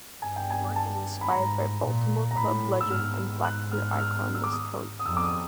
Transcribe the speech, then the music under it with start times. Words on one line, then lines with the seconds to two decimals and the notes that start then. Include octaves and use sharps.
Their work is inspired by Baltimore Club legend and black queer icon Miss Tony.
0.22 G2 G#5
0.36 G5
0.50 G#5
0.76 A5
1.21 B5
1.30 G#2 A#5
1.83 A#2
2.31 A#5
2.37 A2 B5
2.81 E6
2.91 G#2 F6
3.45 F#6
3.72 F6
3.92 E6
3.98 F6
4.17 F6
4.35 E6
4.44 D6
4.52 D#6
4.99 D#6
5.06 F2 E6
5.17 D6
5.24 D#6